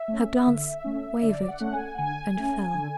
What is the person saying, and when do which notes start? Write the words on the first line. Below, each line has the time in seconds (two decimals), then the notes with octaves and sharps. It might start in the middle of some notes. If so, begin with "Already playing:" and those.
Her glance wavered and fell.
Already playing: E5
0.08 A3 C#4
0.47 D3
0.84 A3 C#4
1.22 D3 D5
1.48 F#5
1.60 A3 C#4
1.73 G#5
1.94 F#5
1.98 D3 G#5
2.37 A3 C#4
2.74 D3